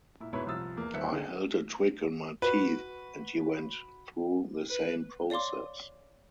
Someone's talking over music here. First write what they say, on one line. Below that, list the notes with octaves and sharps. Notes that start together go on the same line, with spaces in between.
I held a twig in my teeth, and he went through the same process.
A#2 E4
G#2 B2 E4 B4 C#5 B5
C2 F3 F4 D#6 E6 A6
E2 A#3
D#1 E3 C5 E5 F#6 C#7
D3 G#4
F#4 B4
B4
C#5 D5 F5 C6 D6